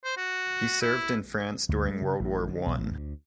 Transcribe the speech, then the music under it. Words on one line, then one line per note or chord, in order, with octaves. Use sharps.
He served in France during World War One.
C5
F#4
E4
D2
G#3
C#3
A1
D3
B1
A1
D2